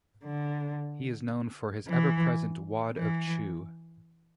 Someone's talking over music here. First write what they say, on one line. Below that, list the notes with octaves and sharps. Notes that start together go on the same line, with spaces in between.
He is known for his ever-present wad of chew.
D3
E3
E3